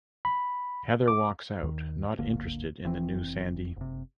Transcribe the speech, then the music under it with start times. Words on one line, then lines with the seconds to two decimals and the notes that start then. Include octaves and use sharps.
Heather walks out, not interested in the new Sandy.
0.25 B5
1.08 D6
1.63 D#2 D#3
2.19 D1 G1 D3 A#3
2.83 F1 E3 C4
3.76 F#1 C3